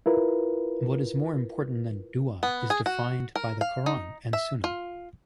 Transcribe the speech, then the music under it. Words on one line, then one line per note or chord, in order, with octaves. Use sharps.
What is more important than du'a is defined by the Quran and Sunnah.
E4 F4 A#4 B4
B3
G#4
F#4
A#4
F5
D#4
E5
F4